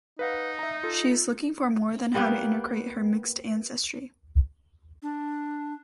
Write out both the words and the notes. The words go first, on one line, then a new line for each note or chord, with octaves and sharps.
She is looking for more than how to integrate her mixed ancestry.
D#4 B4 F5 F#5
E5 A#5
F4 A4
G3 A#3 B3 G4
D4